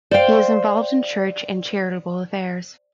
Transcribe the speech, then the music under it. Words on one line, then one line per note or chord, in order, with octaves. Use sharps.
He is involved in church and Charitable affairs.
C5 D5 F5 G5